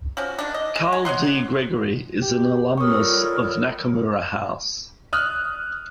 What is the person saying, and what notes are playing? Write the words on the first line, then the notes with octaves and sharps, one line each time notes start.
Karl D. Gregory is an alumnus of Nakamura House.
F3 C#4 F#4
D#3 D4
D#5
G#3
G#5
C#5 D#5 F#5 C6
G4
C4 A4 A#4 C#5 C#6 D#6
G3 F4
D#6 F6 F#6